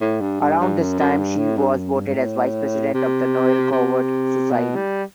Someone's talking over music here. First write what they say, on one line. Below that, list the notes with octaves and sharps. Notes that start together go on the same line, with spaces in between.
Around this time, she was voted as vice president of the Noel Coward Society.
A2
G2
G2
G2
F#2
F#2
G2
A2
G2
F#2
G2
G2
A2
C3
C3
B2
G3